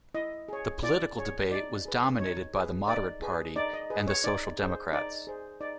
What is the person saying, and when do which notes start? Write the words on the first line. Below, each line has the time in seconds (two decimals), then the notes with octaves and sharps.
The political debate was dominated by the Moderate Party and the Social Democrats.
0.14 E4 D#5
0.49 G#4 C#5
0.83 E4 D5
1.17 G#4 C#5
1.51 D#4 D5
1.85 G#4 B4
2.19 D#4 C#5
2.54 G#4 B4
2.88 D#4 D5
3.22 G#4 B4
3.56 D#4 D5
3.73 D#5
3.90 G#4 B4
4.07 C#5
4.24 D#4 D5
4.59 G#4 C5
4.93 D#4 D5
5.27 G#4 C5
5.61 D#4 D5